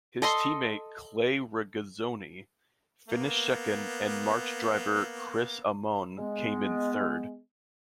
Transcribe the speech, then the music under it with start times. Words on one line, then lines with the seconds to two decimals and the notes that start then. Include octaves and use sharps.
His teammate Clay Regazzoni finished second and March driver Chris Amon came in third.
0.22 A4 D#5 C6
3.08 A#3 B3
6.18 G#3 B3